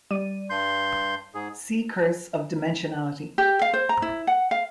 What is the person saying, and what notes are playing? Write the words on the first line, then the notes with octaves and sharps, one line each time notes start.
See curse of dimensionality.
G3 D5 D#7
G2 C6 G6
G#2 G#4
G4
F5
C5
A#5
E4
F#5
F5